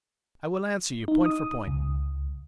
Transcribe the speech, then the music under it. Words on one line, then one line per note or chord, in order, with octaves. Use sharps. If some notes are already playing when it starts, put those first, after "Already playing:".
I will answer you, point for point.
D#4
D#6
C#2